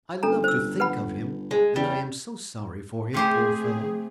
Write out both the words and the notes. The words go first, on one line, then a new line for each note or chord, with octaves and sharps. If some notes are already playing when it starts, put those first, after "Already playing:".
I love to think of him, and I am so sorry for him, poor fellow!
G1 C#4 A4 A#5
C5 E6
B4 F#5 B5
G#3
E2 G3
C3 A3 G4 G#4 C5